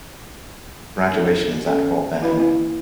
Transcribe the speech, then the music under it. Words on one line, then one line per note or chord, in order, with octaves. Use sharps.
Graduation is at Fort Benning.
D4 A4
C#4 A4 F#5 G#5
E3 E4 B4 D#5 F5 B5
A#3 C4 E4 B4